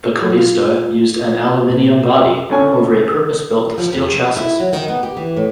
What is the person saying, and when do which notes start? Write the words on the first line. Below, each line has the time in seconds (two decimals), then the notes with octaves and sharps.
The Kallista used an aluminium body over a purpose-built steel chassis.
0.22 F#3
0.38 F4
1.70 A#2
2.50 D3 C#4 G#5
3.78 F3
3.93 F2
4.14 C3
4.36 E4
4.60 F#3
4.73 D#3
4.88 B3
5.03 G4
5.17 E3
5.37 A2